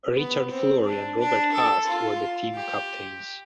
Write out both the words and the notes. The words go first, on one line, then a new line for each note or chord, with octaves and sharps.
Richard Flory and Robert Hast were the team captains.
B3
C4
D4
D4
A4
F4
G4